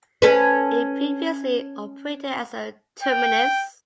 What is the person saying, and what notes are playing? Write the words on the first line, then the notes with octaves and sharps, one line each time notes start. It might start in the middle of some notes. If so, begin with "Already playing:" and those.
It previously operated as a terminus.
C#4 A4 B4
G5